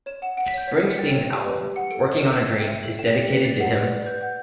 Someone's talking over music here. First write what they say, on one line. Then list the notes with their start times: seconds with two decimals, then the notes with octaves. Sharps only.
Springsteen's album, "Working on a Dream", is dedicated to him.
0.06 C#5 E7
0.22 F#5 E7
0.37 F#5 D7
0.47 B6
0.53 C#5 G6
0.68 C#5 B6
0.79 G5 C#7
0.89 B6
0.99 G5 A6
1.14 C#5
1.29 G4
1.45 B4
1.60 G4
1.76 F#5 C#7
1.91 A4 D7
2.07 C#5
2.21 A4 E7
2.37 G5
2.52 A4
2.68 E5
2.83 A4 F#7
2.99 G5 E7
3.13 G4 D7
3.29 B4 B6
3.44 G4 A6
3.60 F#5
3.76 B4
3.91 D5
4.06 B4 G6
4.21 F#5 G6